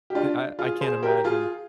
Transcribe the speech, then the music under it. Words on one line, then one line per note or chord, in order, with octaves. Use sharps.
the I I can't imagine.
G4
D4 F4
F4 G#4
G#4 C5
G4 A#4
F4 G#4